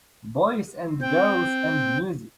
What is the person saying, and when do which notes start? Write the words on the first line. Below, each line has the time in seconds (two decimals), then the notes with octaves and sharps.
Boys and girls and music.
1.01 C4 G5